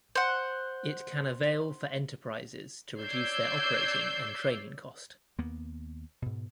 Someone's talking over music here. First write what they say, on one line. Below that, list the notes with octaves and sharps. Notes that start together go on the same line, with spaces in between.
It can avail for enterprises to reduce their operating and training cost.
C5 F#5
C#5 D5 E6 G6 G#6 C7
D#2 A#3 B3
G#2 B2